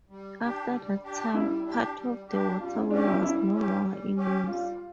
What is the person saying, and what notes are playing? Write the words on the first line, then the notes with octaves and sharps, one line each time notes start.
After that time, part of the waterway was no longer in use.
G3
D4 G4
G3
D4 G4
G3 E4
D4 G4
G3
D4 G4
G3 F4
E4
C#4 D4 G4
E4
G3 E4
C#4 G4
G3
C#4 G4
G3 F4